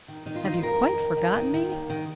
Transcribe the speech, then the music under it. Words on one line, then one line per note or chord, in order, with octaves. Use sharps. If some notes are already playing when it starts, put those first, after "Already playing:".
Have you quite forgotten me?
D#3
D#3 D#4
F4
D#3 D#4
F4
F2 A#4
F2
D#2
D#2
D#3
D#3
D#2
D#3